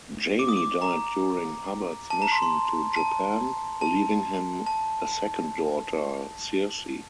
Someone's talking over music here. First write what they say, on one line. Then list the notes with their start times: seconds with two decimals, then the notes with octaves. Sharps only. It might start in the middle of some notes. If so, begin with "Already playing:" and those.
Janie died during Hubbard's mission to Japan, leaving him a second daughter, Searcy.
0.39 D6
0.49 D#6
0.57 D6
0.82 A#5
2.10 A5
2.22 A#5
2.32 C6
2.42 C6
2.96 A5
3.81 A5
4.66 A5